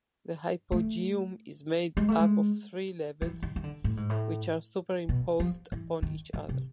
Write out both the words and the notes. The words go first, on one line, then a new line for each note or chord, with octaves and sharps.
The Hypogeum is made up of three levels, which are superimposed upon each other.
A3
G#3
A3
G#3
E3
D#3
D#3
D3
A2
G#2
A2
B2
F3
E3
D#3
D3
C3